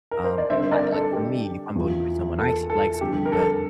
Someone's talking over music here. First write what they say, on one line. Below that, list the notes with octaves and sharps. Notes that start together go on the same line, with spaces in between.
um, I like for me, if I'm voting for someone I actually like, someone who does,
A#4
C5
D5
D3 G3 C4 C5 E5
A#4 D5
A4
G4
E2 E3 A#3 F4
A4
A4
F2 D3 G3 C4 G4
A#4
A4